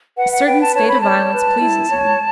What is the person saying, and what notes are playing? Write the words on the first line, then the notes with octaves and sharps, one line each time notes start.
A certain state of violence pleases him.
B4 F#5
F#5
B4 G5
A5
C#5 A5
B5
C#5 A5
B4
E4
C#5